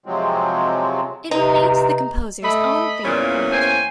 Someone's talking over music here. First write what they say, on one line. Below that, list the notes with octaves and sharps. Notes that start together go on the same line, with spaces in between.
It remained the composer's own favorite work.
C3 F3 F#3 G#3 C4
C3 D#4 B4 A#5
A3 D#5 B5
E2 A#2 A#3 C#4
C5 G5 G#5